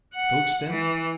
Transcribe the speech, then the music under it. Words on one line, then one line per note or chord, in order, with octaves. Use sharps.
Goats, then?
F#5
E3